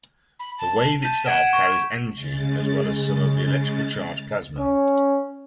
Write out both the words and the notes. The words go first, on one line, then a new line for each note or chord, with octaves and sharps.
The wave itself carries energy as well as some of the electrically charged plasma.
B5
A5
A5 G6 B6 D#7
F#5 G#6 D7 E7
C#6
C#3 G#3 A6
C#4